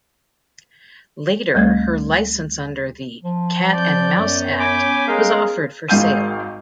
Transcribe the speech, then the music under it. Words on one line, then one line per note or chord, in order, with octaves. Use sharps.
Later, her licence under the "Cat and Mouse" Act was offered for sale.
D2 G3 A3 G#6
F3
F2 D5 G6
F#2 B3 C#4 G6
G#5 B5 D6
G#3 G#4 A#4 F5
G#1 G#2 F5 G6 D#7